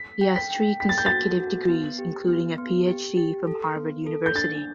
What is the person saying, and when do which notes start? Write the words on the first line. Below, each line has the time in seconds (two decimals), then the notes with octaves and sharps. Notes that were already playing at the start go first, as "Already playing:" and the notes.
He has three consecutive degrees including a PhD from Harvard University.
Already playing: B6
0.21 G5
0.36 B6
0.50 G5
0.80 G5 B6
0.89 A6
0.98 G6
1.06 F#4 A6
1.40 F#4
1.69 B3
1.99 G4
2.28 B3
2.58 B3
2.87 G4
3.17 G4
3.47 A4
3.76 B3
4.06 A4
4.26 G6
4.35 D4 A6